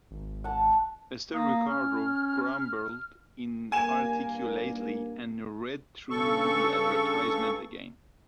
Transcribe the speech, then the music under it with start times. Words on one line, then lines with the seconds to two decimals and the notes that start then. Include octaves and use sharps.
Mr. Ricardo grumbled inarticulately, and read through the advertisement again.
0.11 G#1
0.44 F#5 A5
1.34 A#3 D#6
1.68 C#4 F6
3.72 G2 A#3 G#5 E7
6.10 G2 C#3 A4 C#6